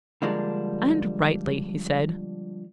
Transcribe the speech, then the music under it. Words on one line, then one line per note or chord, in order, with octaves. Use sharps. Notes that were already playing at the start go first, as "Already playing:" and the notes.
"And rightly," he said.
D3 F3 G3 G#3 A#3 D4